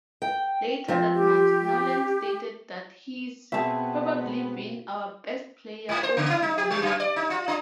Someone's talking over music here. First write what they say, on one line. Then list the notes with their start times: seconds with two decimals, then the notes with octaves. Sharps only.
Later that month Nolan stated that "he's probably been our best player all season".
0.22 G5
0.88 F3 C4
1.14 G4
3.52 B2 B3 C4 G#4 E5 A5
5.89 G#2
6.03 C5
6.17 C#3
6.30 E4
6.42 D#4
6.58 G4
6.70 G3
6.82 F#2
7.00 D5
7.16 D#4
7.30 F4
7.48 D4